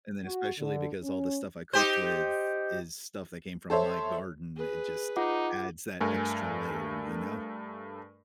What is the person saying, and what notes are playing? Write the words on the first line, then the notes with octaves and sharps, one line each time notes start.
And then especially because all the stuff I cooked with is stuff that came from my garden, it just adds that extra layer, you know?
F#4
D3
C#4
D#4 G4 C5
A4 C5 C#5 E5
G#4 B4
D#4 F4 F#5 D6
G2 A3 A#4 G#5